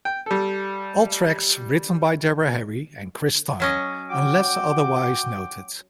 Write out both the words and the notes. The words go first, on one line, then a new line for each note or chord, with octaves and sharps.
All tracks written by Deborah Harry and Chris Stein, unless otherwise noted.
G5
G3 A4
F#3 C#4 D#5
F#4 G5 D6